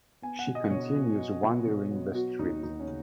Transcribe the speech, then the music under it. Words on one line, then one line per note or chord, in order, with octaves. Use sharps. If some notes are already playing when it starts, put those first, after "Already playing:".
She continues wandering the street.
B3 G#5
F#5
B2
D#5
B2 C#5
F#3
B3
B2
B2
F#3
B3 F#4
D#2 D#4
D#2 D#4
C#4
C#3